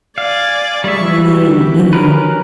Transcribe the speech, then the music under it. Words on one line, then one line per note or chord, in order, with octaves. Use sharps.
Mm, mhm.
D5 F5 G#5
G3 G#3 E5 C#6
F#4 G4
C#4 A#4 B4